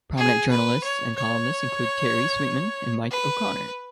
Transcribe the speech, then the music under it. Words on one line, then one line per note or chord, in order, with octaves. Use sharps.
Prominent journalists and columnists include Terry Sweetman and Mike O'Connor.
G#4
B4
C#5
C#5
B4